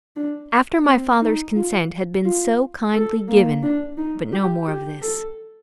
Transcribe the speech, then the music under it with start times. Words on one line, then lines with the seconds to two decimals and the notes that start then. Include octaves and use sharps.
After my father's consent had been so kindly given--but no more of this.
0.16 D4
0.86 C4
1.21 D#4
1.55 F4
2.25 F4
2.94 A4
3.28 A#3
3.63 D4
3.97 D#4
4.32 G4
4.67 G4
5.02 A4